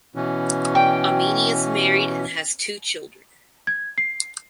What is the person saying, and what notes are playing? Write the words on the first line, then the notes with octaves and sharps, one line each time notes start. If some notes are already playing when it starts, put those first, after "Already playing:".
Amini is married and has two children.
B2 E3 C#4
G5
G#6
C7